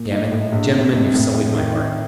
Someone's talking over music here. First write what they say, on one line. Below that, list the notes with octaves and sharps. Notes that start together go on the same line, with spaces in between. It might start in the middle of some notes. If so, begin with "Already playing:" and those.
Damn it!... Gentlemen, you've sullied my heart!
Already playing: A#2
D#4
A2
A#1
C3
F2
A2
A2
D#3
D#3